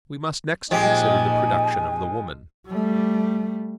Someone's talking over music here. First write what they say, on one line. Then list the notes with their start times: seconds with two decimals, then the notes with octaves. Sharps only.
We must next consider the production of the woman.
0.71 A#2 F3 G#3 D#4 G4 G#5
2.67 G3 A3